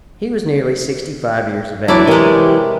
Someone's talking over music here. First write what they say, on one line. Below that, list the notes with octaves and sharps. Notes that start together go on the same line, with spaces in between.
He was nearly sixty-five years of age.
E2 F#3 D4 E4 D5
C3 E3 G#3 G4 A#4 D5